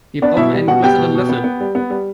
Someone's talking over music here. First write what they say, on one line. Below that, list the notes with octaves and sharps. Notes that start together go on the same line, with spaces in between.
Wir brauchen einen größeren Löffel.
B3 D4 D5
B2 E4 E5
G3
B2 F#4 F#5
B3 G4 G5
B2
B2
B3
B3
G3
B3
G3